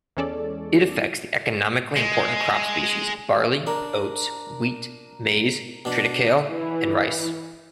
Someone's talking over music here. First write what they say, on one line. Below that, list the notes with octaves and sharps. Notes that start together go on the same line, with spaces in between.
It affects the economically important crop species barley, oats, wheat, maize, triticale and rice.
E2 G#3 C#4 A4 D5
G#3
D4 A#4
B2 D4
E3